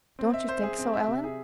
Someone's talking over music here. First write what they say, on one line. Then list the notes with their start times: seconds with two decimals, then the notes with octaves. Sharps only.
"Don't you think so, Ellen?"
0.19 C4
0.34 E5
0.49 C5
0.63 G#4
0.78 C4
0.94 E5
1.08 C3
1.24 G#4